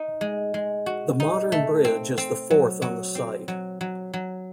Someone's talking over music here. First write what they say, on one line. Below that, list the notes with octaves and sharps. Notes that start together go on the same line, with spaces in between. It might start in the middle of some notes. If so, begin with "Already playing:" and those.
The modern bridge is the fourth on the site.
Already playing: D#4
G#3
G#3
F#4
D#4
A3
C4
C4
F#3
F#3
C4
F#3
F#3
F#3